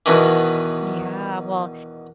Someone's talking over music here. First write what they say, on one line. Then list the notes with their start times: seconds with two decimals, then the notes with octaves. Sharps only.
Yeah. Well,
0.06 E2 B2 D#3 E3